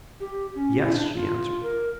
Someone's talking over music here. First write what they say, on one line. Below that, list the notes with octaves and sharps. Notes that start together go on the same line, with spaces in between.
"Yes," she answered.
G4
C#4
E4
D4
F4
A#4